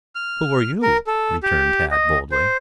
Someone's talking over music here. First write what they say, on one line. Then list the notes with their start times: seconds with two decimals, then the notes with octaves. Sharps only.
"Who are you?" returned Tad boldly.
0.15 F6
0.83 A#4
1.07 A4
1.43 G4
1.91 D#5
2.32 C5